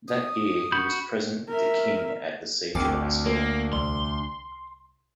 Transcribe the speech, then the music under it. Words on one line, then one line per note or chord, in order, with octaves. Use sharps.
That year he was present with the king at the Siege of Ascalon.
D#6
F#4 B5 G6
A#4 E5
G#1 D2 C4 D6
A#3
C2 C6